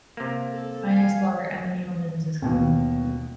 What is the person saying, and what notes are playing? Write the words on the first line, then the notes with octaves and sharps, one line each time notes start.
The finance blogger Emma Needleman is his cousin.
C3 A#3
A4
F5 G#5
D#2 B2